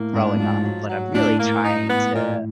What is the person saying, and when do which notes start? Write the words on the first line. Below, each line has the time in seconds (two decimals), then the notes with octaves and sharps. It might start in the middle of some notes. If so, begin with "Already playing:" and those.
growing up, but I'm really trying to
Already playing: A2 A#3
0.13 G#2 D4
0.36 G#2 F3
0.64 F#3
0.89 F#3
1.14 A2 D4
1.40 A#3
1.64 D#4
1.90 B3
2.14 A#2